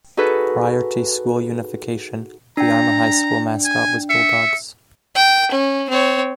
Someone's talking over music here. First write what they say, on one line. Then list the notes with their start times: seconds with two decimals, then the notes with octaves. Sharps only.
Prior to school unification, the Arma High School mascot was Bulldogs.
0.17 D#4 F#4 G#4 A4 B4
2.57 D4 G5 A#5
3.65 G#5
4.10 E5 C#7
5.15 G5
5.51 C#4
5.89 C4 C#5